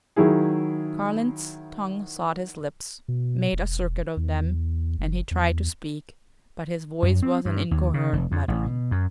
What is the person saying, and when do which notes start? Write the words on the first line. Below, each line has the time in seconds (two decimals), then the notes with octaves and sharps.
Carling's tongue sought his lips, made a circuit of them--and he tried to speak, but his voice was an incoherent muttering.
0.16 D#3 F#3 E4 G#4
3.08 B2
3.53 E1
4.17 E2
4.98 F#1
5.31 E2
7.03 F#2
7.23 C4
7.45 G2
7.71 D#2
7.94 C#3
8.13 F1
8.32 F2
8.48 A1
8.65 B2
8.91 F#2